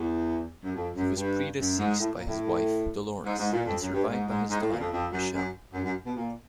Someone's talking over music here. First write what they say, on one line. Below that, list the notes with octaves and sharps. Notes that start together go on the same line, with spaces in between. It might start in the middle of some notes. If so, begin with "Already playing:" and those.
He was predeceased by his wife Dolores and survived by his daughter, Michele.
Already playing: E2
F#2
F2
F#2
G2
F#2
G#2
A2
A#2
A2
G#2
G#2
A#2
F2
F#2
G2
G#2
G#2
G#2
A2
A#2
F2
F2
F#2
F#2
F#2
F#2
B2
A#2